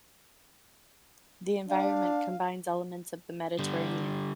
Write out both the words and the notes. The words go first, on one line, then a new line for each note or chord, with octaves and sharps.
The environment combines elements of the Mediterranean.
D4 F5
D3 G3